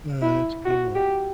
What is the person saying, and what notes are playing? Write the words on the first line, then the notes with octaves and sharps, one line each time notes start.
Ah, that's cool.
E4
F#4
G4